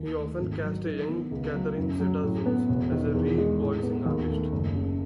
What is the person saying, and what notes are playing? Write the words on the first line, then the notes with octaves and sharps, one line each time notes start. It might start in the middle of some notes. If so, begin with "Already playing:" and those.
He often cast a young Catherine Zeta Jones as a re-voicing artist.
Already playing: D#2
A3
G#1
F#3
D#3
B3
C#2
F#3
F#2
F#3
A2
B3
E1
D#3
E2
G#3
A2
B3
D#2
A3
F#1
C#3